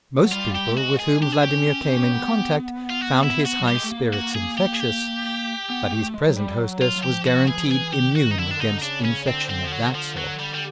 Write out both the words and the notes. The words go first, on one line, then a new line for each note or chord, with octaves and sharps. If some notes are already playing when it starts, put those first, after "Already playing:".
Most people with whom Vladimir came in contact found his high spirits infectious, but his present hostess was guaranteed immune against infection of that sort.
F#3
G3 F4
G4
A3
G#3 F#4
G#4
D4 G4
G#4
C#4 G4
C#4
C4
C#4
B3
F4
F#4
E4
F#4
F#3
G3 G4
G#3
A3
A#3
F#4
G#4
G4
G#4
G4
B3
A3
G#3
F#3
G3
F#3
F4
F#3
F3 G4
F#4
E3 G#4
F3
E3
G#4
D#3 G4
F#4
D#4
D3 E4
D#3 D4
D3 D#4
C#3 D4
C#4
D3 C4
C4
F3
F#3
F3
F#3
G3
G3